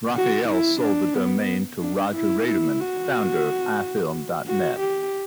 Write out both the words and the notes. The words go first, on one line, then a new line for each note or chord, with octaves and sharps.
Raphael sold the domain to Rodger Raderman, founder of iFilm dot net.
F#4
E4
D4
B3
D4
E4
E4
F#4
F#4
G4